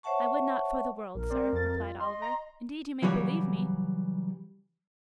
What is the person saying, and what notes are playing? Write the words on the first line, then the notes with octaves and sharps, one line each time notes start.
'I would not for the world, sir,' replied Oliver. 'Indeed you may believe me.
C5 C#5 E5 F#5 A5 C#6
A#1 A#4
C4 C5 D5
F2 A6
F4
D#5 C6
A#5 C6
C#3 E3 F#3 G3 C#5